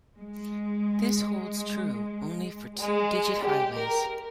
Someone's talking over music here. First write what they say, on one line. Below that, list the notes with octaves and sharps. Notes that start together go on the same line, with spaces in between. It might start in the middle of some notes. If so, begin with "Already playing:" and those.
This holds true only for two-digit highways.
G#3
G#3
G4
A#4